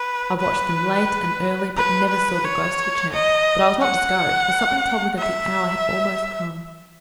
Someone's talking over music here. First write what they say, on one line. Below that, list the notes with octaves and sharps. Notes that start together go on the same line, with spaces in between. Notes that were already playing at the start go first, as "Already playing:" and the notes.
I watched them late and early, but never saw the ghost of a chance; but I was not discouraged, for something told me that the hour had almost come.
Already playing: B4
B4
B4
B4
C#5
D#5
F#5
E5